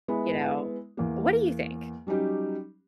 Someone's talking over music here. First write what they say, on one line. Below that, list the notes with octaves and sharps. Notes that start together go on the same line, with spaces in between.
You know? What do you think?
G#3 B3 E4
E2 A#3
F#3 G3 C#4 D#4 G4